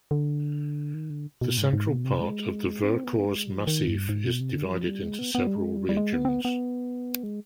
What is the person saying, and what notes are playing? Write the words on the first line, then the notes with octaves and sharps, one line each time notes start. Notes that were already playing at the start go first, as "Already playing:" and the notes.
The central part of the Vercors Massif is divided into several regions.
D3
D#3
D3
B2
G#2
G#2
B2
C3
G#3
C4
B3
G#3
G3
F3
D#3
G2
G#2
B2
C3
D3
G3
F3
G3
G#3
B3
B3
G3
G#3
G3
G3
G#3
B3
C4
B3
B3
G#3